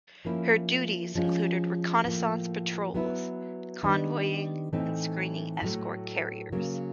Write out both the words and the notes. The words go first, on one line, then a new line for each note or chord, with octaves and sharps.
Her duties included reconnaissance patrols, convoying, and screening escort carriers.
F3 A#3 C#4 E4
F3 G#3 C#4 F4
A2 F3 A#3
F#3 B3 E4
D#3 G3 B3 D4
A2 E3 A3 C4 D#4
A2 F#3 A3
C#3 F#3 A#3